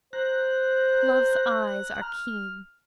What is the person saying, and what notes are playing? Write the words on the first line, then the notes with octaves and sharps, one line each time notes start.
Love's eyes are keen.
C5 A#5 F#6
F6